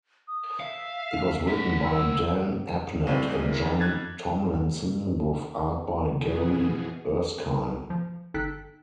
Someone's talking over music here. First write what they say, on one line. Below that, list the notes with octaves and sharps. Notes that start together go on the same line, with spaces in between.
It was written by Dan Abnett and John Tomlinson with art by Gary Erskine.
D#6
E5 F5
A#4 F#5 B6
E6
C2 A2 C4 D4 F5 D#7
G#2 G3 G#4
E4 F4 A#4
F2 D#4
F#6 G#6 A6
B2 E3 F3 B3 G#4
F3
G1 D#4 A4 G5 F#6 B6